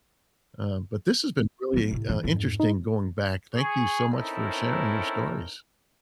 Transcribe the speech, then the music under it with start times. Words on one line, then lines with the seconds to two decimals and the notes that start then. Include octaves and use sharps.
uh, but this has been really, uh, interesting going back, thank you so much for sharing your stories.
1.73 F3 B3
1.91 A2 C3
2.09 F2 E3
2.24 F2 G#2
2.60 D#4
3.55 G#4 C#6
4.13 C4 C#4 D#4 E4 A4 A#4